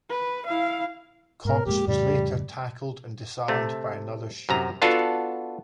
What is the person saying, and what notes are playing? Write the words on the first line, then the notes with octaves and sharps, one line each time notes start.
Cox was later tackled and disarmed by another student.
B4
E4 F5
G#2 B2 A#4
F2 A#2 G#3 G4
F2 A2 C#3 G3
C3 A3
F#2 C3 A#5
B3 D4 F4 F#4 A4